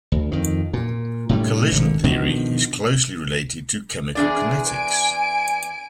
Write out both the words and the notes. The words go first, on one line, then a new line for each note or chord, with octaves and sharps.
Collision theory is closely related to chemical kinetics.
D2
F2 D#3
A#2
A2 D3 G3
G#1 D3
B2 D3 D#3 F3
E2 D4 G#4 D5
G#5 D7